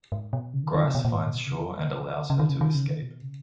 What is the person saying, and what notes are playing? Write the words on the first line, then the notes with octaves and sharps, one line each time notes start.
Grice finds Shaw and allows her to escape.
G#2
B2
C#3
D#3
D#3
C#3
B2
A#2
G#2
A#2
B2
C#3
D#3
F3
D#3
B2
F3
D#3
C#3
C#3
D#3
C#3
D#3
C#3
D#3
B2
C#3